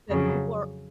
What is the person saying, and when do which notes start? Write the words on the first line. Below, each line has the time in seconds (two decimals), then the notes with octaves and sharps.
That people are
0.09 F2 C#3 F#3